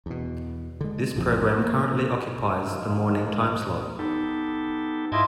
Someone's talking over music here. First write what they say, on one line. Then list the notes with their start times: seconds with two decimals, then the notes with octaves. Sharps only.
This program currently occupies the morning timeslot.
0.06 E2 B2
0.81 D3 G#3
1.16 A#1 F2 A2
1.58 A#3
2.67 D#3 F3
3.99 B3 D#4 G4 A4
5.12 G#2 E4 F4 D#5 G5 A5 G#6